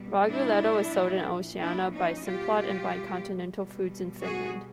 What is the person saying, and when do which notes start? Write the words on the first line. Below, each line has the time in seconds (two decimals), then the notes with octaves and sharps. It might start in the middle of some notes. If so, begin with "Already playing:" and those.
Raguletto is sold in Oceania by Simplot and by Continental Foods in Finland.
Already playing: B2 G3
0.28 D4 E4
0.94 A#2 F3
1.59 D4 E4
1.92 C#4 D#4
2.25 B2 G3 F4 G4
3.56 B2 G3
4.21 F#4 G#4